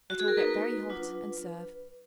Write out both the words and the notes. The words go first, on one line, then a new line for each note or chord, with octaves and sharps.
Let all get very hot and serve.
F#4
G#4
A#4
A#3 D#4 F#4 B4
F#3 D4 F4